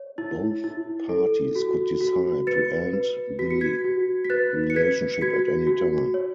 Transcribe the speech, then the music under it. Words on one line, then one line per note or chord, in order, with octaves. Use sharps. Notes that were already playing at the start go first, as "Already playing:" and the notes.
Both parties could decide to end the relationship at any time.
Already playing: C#5
E4
E4
A4
F#4
F#4
B4 A6 C#7
B4
F#4 B6
C#7
G#6 B6
F#4
B6
B4 F#6 A6
C#7
B4 G#6 B6
C#7
F#4 G#6 B6
F#4
C#5